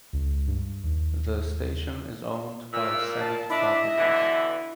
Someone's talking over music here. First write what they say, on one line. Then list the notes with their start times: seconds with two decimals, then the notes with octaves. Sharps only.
The station is owned by Senate Properties.
0.13 C#2
0.47 G2
0.84 D#2
2.72 A#2 E6
3.20 A5
3.50 D4 E4 D#5 E5
3.98 B2 D3 E3